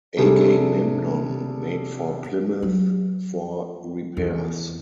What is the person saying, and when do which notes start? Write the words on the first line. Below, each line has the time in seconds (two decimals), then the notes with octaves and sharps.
"Agamemnon" made for Plymouth for repairs.
0.17 C3 G3 D4 G#4 A4
2.62 F#3
4.17 E2